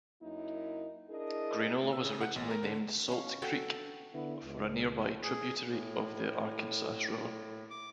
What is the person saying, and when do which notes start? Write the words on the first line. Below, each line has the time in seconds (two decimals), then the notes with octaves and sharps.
Grainola was originally named Salt Creek for a nearby tributary of the Arkansas River.
0.21 F#2 A#3 D#4 E4
1.10 D4 E4 G#4 A#4 D#5
1.93 E6
2.05 C#3
2.21 F#5
2.36 A1
2.50 A#4
2.63 D3
3.08 C#4 F5
3.42 F#4 A4 G5
4.13 D3 B3 E4
4.45 C#2
5.22 G#4
5.68 A2
7.70 D6